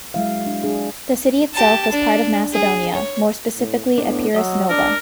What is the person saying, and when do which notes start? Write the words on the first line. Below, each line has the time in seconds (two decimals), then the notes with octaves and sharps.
The city itself was part of Macedonia, more specifically Epirus Nova.
0.14 F#3 G#3 E4 E5 F5
0.46 D4
0.64 D4 G#4
1.54 G4 A5
1.91 D4
2.53 G#4
2.93 C#5
3.57 A2
3.98 A2 B3 D4
4.34 F#3 D#5 D#6 E6
4.70 D4 A#4